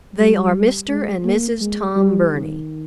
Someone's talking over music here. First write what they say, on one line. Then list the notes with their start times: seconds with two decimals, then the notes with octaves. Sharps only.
They are Mr. and Mrs. Tom Burney.
0.17 G3
0.89 G#3
1.24 A#3
1.61 G#3
1.96 G3
2.32 D#3